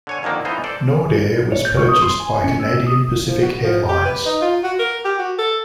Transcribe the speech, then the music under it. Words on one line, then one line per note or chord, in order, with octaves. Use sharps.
Nordair was purchased by Canadian Pacific Air Lines.
D3 C#5 G#5
F2 D3 D#3 A#3
E3 B3 D#4 F4 C5
A4 C5 D5
C#5
G6
C#6
D#6
C6
G#5
C#4
E6
D#6
F3
F#4
F3
G4
B4
D#4
F4
F#4
A#4
G4
F#4
A4